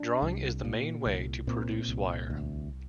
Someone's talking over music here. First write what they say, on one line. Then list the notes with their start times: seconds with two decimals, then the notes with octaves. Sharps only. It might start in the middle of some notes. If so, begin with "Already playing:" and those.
Drawing is the main way to produce wire.
Already playing: D4
0.22 C2
0.64 A#2
1.06 C2
1.47 A#2 C4
1.89 C2
2.30 D2